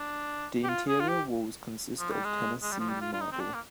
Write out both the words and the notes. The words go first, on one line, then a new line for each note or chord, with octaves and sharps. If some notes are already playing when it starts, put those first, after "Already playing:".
The interior walls consist of Tennessee marble.
Already playing: D4
G4
F4
G#4
F4
G4
F3
G3
G#3
G#3
G3
F3
G3
F4
F4
D#4
C4
D4
A#3